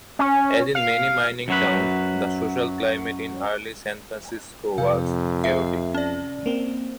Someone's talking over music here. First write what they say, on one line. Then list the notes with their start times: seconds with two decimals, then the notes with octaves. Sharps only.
As in many mining towns, the social climate in early San Francisco was chaotic.
0.19 C#4
0.75 F5
1.48 F#2 F#3 B4
4.78 F2 C3 F5
5.44 E5
5.95 C#4 D5
6.46 A#3 C4